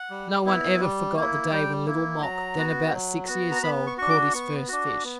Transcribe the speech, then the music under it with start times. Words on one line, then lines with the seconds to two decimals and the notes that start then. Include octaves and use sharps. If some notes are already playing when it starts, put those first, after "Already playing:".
No one ever forgot the day when Little Mok, then about six years old, caught his first fish.
Already playing: F#5
0.11 G3
0.45 B3 E4
0.80 G3
1.16 A#3 E4
1.51 G3 G5
1.87 A#3 E4
2.22 F#3 A#5
2.57 B3 F#4
2.93 F#3
3.27 B3 F#4
3.52 A#5
3.62 B3 B5
3.87 C#6
3.98 D4 F#4 C#6
4.10 D6
4.33 B3 C#6
4.68 D4 F#4
5.04 B3